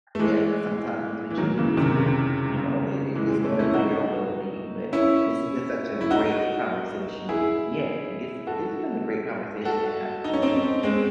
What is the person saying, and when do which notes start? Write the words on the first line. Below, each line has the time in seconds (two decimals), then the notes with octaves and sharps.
yeah, sometimes it's what you need to do, you know? It it is better for your wellbeing. But this has been such a great conversation. Yeah, this this has been a great conversation to have with you today, and
0.15 A3
0.19 E3 G#3
1.30 E3
1.38 D#3 F#3
1.57 C#3 E3
1.77 C3 D#3
1.97 C#3
2.56 C#3
3.15 E3 G#3
3.30 G#3 C4
3.45 A3 C#4
3.59 C#4 E4
3.74 D#4 F#4
4.93 C#4 E4
6.01 E4
6.11 D#4 F#4
7.29 E4 G#4
8.47 F#4 A4
9.65 F#4 A4
10.24 D#4
10.34 C#4
10.42 C4 D#4
10.83 G#3 C4